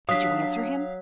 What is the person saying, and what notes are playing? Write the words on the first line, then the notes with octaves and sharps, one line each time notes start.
"Did you answer him?"
F#3 D4 F5 D#6 B6